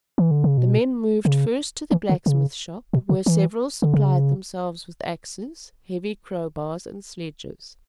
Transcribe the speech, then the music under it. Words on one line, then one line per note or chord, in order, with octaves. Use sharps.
The men moved first to the blacksmith shop, where several supplied themselves with axes, heavy crow-bars and sledges.
E3
D3
C#3
B2
C#3
E3
D3
C#3
B2
C#3
E3
D3
C#3